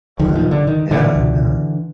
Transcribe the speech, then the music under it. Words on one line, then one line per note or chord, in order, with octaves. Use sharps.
I know. Yeah, yeah.
D#2 D3 D#3 F3
D#3 F3
D3
D#3
D3 E3
C#2 B2